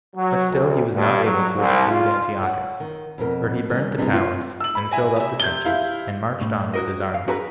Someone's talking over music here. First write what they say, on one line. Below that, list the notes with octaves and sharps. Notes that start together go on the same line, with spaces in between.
But still he was not able to exclude Antiochus, for he burnt the towers, and filled up the trenches, and marched on with his army.
F#3
D2
G2
F#3
C2
F4
C#5 F#5
D#3
F2 B2 A#4
D#3 G3 C#4
C3 E3 G3 D4 G#4
F4
E6 F#7
B5
E4 G#5 A#5
C3 E5
G6 G#6 G7
E4 F5
A2
F#4 A#4 D#5
F5
F#4 G#4 A#4 B4